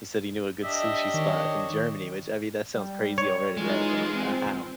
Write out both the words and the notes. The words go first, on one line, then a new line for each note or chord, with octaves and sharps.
He said he knew a good sushi spot in Germany, which I mean, that sounds crazy already, right? I'm like, "Uh, how?"
D4 G4 D#5 E5
D#3 C#5
G3
C#5
E3 G#3 D#4 F4
C4